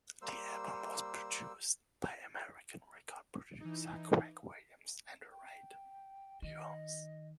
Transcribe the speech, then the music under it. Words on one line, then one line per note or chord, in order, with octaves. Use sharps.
The album was produced by American record producer Craig Williams and Reid Hyams.
G3 A#3 C5 E6
E3 D#4
G5
D#3 D#5